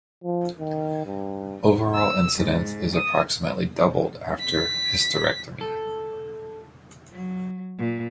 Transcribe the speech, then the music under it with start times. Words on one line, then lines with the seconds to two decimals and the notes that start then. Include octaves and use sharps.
Overall incidence is approximately doubled after hysterectomy.
0.24 F3
0.60 D#3
1.06 G2
1.93 E6
2.37 G#2
2.93 D#6
4.41 B6
5.61 A4
7.12 F#3
7.79 A#2